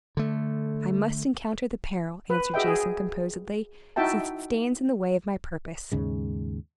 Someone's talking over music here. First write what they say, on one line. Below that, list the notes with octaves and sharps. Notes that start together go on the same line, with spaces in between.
"I must encounter the peril," answered Jason, composedly, "since it stands in the way of my purpose."
D3 A3
B4
F#4 G#4 D#5 E5 G5
G#4
D#4 E4 F#4 E5 G5 A5
D#2 G#2 C#3 G#3